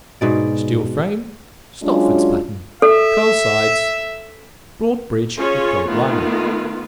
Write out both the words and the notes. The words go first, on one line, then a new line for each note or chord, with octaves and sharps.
Steel frame, Stopford's pattern, curl sides, broad bridge with gold lining.
G#2 B2 D5
F#3 G#3 C#4 D4 F4
A4 E5
C#4 F4 G#4 C#5
D#3 A3 B3 F4